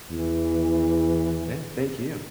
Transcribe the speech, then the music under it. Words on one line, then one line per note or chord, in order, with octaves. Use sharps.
Yeah, thank you.
E2 E3